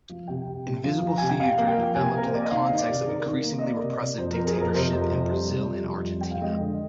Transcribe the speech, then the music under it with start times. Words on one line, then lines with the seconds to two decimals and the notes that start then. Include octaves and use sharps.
Invisible theatre developed in the context of increasingly repressive dictatorship in Brazil and Argentina.
0.09 F3
0.28 C3 G5
0.46 C3
0.66 C3
0.84 F3
1.02 F3
1.07 A#5
1.18 C3 G#5
1.29 G5
1.39 C3 F5
1.58 A#3
1.68 G5
1.77 F3
1.95 C3 G#5
2.14 A#3 A#4
2.26 C5
2.33 A#3 D5
2.42 D#5
2.51 D#3 F5
2.70 D#3
2.78 D5
2.88 C3
3.00 G#4
3.07 D#3 A#4
3.26 D#3
3.44 A#3
3.59 D#5
3.63 A#3 D5
3.81 C3
4.00 C3
4.18 F2 C5
4.33 F2 A#4
4.47 G#4
4.55 F2
4.61 A#4
4.74 C3 C5
4.93 F2
5.11 C3
5.30 G3
5.49 C3
5.67 F2
5.85 G3
6.04 F2
6.21 F2 G5
6.31 F5
6.41 G#3 D#5
6.61 D3